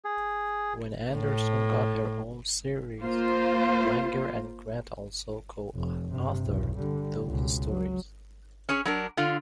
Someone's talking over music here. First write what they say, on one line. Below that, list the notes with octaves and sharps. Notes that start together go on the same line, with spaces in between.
When Anderson got her own series, Wagner and Grant also co-authored those stories.
G#4
A2
A#3 F4 C5
F1
G2 C3
B1 E2
D3 G3
C#2 B2
F#3
C#4 G#4 C#5
F#3 D4 A#4
D3 F4